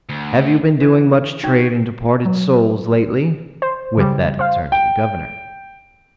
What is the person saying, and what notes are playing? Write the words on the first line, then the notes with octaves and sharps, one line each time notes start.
"Have you been doing much trade in departed souls lately?" With that he turned to the Governor.
D2
E3
D#4 F#4 G4 G5 G#6
F#3
C5
C#3 G3
C5 F5
G5